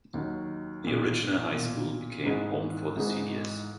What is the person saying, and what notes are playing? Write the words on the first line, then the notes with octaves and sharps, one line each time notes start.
The original high school became home for the seniors.
D#2 D#3 F#3
B1 A#2 A#3
B1 A#2 A#3
G#1 G#2 E3 G#3 D#4
G#1 G#2 E3 G#3 D#4